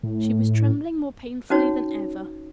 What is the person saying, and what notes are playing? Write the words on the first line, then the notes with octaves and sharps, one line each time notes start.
She was trembling more painfully than ever.
A2
C#4 D#4 F#4 C#5